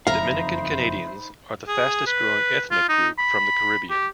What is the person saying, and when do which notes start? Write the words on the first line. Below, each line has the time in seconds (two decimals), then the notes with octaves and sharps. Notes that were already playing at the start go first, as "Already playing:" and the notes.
Dominican Canadians are the fastest growing ethnic group from the Caribbean.
0.07 F#1 F2 D#4 C5 E5 F5 A#5 B5
1.68 G#4
2.07 B4
2.71 F4
2.89 D#4
3.19 B5
3.90 G4